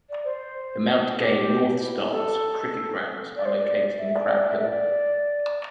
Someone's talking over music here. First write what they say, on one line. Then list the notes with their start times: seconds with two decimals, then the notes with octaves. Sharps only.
The Mount Gay North Stars cricket grounds are located in Crab Hill.
0.10 D5
0.25 C5
1.19 G4
1.80 E4
1.96 G4
2.11 A4
3.37 D5
3.46 C5
3.55 D5
3.99 E5
4.14 D5
4.50 E5
4.61 D5